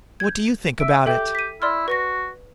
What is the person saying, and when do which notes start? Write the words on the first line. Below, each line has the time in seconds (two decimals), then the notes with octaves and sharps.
"What do you think about it?"
0.20 G6 G#6
0.80 E5 D7
1.06 G4 A4 E5 G5
1.35 B6 D#7
1.62 E4 D5 C6 F6
1.88 F#4 B4 C#6 A#6